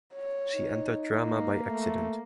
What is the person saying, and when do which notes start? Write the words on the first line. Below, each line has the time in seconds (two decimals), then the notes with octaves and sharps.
She entered drama by accident.
0.15 C#5
0.56 D#4
1.14 A#3
1.67 A3